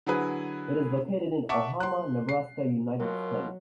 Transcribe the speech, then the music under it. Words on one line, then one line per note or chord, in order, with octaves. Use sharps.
It is located in Omaha, Nebraska, United States.
D3 F#3 E4 G#4 B4
E5 F#5 A5 C#6 D6
C6 F#6
C7
D#2 B2 F#3 F4 A#4